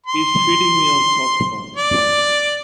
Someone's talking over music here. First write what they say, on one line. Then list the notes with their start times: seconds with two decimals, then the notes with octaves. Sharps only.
He's feeding me on soft corn, thought I.
0.06 C6
1.76 D5